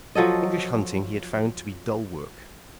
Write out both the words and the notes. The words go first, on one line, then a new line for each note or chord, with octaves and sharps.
English hunting he had found to be dull work.
F3 F#3 A4 D#5